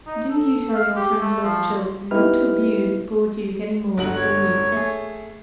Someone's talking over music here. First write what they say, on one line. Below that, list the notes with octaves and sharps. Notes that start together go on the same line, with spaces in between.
Do you tell your friend Lord Chiltern not to abuse the poor Duke any more before me.
D#4
A4
F5
G4
A3
F3
B3 D#4 E4 G4 B4 F6
G1 F#4 F#7
C#5
A3 G#4